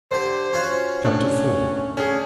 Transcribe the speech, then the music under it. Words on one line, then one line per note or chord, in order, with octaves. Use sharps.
Chapter IV.
D3 G4 C5
C#4 F4 F#4
A2 C#4 D4
D3 C#4 G#4